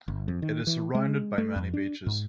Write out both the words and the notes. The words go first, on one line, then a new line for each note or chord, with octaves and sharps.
It is surrounded by many beaches.
G1
F2
D#3
E3
G#3
A3
F2
D4
G#2